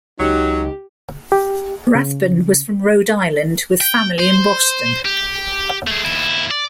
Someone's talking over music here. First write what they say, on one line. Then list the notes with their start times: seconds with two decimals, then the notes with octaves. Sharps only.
Rathbun was from Rhode Island with family in Boston.
0.20 C#2 F#3 D#4 G4
1.32 G4
1.95 C#3
3.81 G5
4.19 C5
5.05 G4
5.87 A3 G#4
6.05 D#2 E4
6.51 D5